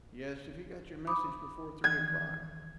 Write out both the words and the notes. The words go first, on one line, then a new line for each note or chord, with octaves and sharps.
"Yes, if he got your message before three o'clock."
B5 D6 D#6
D#3 E3 F#6 G#6